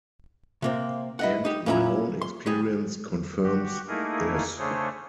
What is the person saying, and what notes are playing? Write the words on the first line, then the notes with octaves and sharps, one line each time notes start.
And my own experience confirms this.
C3 A#3 C4
E4 D#5 F#5
D#4 G4
A#2 C#4 E4 D5 A#5
C6
G3 G#4
F#4 G4
A3 A#3 D#4 E4 G#4 A#4
C#3 A3 D4 G#4 C5 C#5